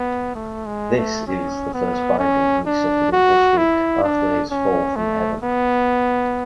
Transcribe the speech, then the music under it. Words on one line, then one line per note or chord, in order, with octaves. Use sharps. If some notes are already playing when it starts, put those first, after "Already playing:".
This is the first binding he suffered in history after his fall from heaven.
Already playing: B3
A3
G#3
A3
C#4
B3
C#4
D4
F#4
E4
D4
C#4
A3
B3